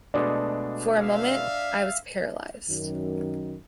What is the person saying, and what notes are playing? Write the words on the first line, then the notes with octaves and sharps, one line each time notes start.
For a moment I was paralysed.
B2 G#3 A3 D4
E5 F5
F#2 D#3